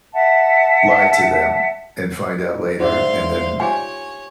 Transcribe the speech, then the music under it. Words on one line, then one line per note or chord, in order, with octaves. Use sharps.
lie to them and find out later and then
E5 F#5 A5
G#2 C5 D5 E5 F5 C6
F4 G4 C#5 G#5